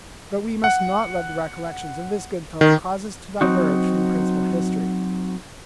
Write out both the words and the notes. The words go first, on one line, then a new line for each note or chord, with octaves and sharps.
But we must not let the recollections of this good fellow cause us to diverge from the principal history.
F#5
D#3
F#3 C4 D#4 F#4